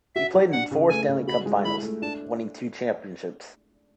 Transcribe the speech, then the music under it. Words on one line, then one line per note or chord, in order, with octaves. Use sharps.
He played in four Stanley Cup finals, winning two championships.
F#4 E5
F#3
D4 F#5
C#3
A3 G#5
C#3
F#4 B5
G#3
E4 B5
A3
D4 A5